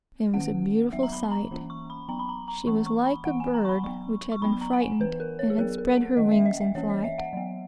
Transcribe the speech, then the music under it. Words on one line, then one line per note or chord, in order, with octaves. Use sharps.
It was a beautiful sight. She was like a bird which had been frightened and had spread her wings in flight.
D#3 A#3 C#4 F#5
F#3 B3 E5
A#5
B5
A#5
E3 A#3 C#4
C#6
B5
F#3 B3 A#5
B5
A#5
A#5
E3 A#3 C#4 C#6
C#6
B5
E3 B3 F#5
G#5
A#5
C#6
B5
F#3 B3 C#6
C#6
F#3 B3 B5
A#5
F#5
G#5
E3 B3 B4
A#4
C#5
G#4
F#3 B3 A#4
A#4
F#5
D#3 A#3 C#4 D#5
E5
D#5
E5
E3 A#3 C#4 C#5
D#5
E5
F#5
F#3 B3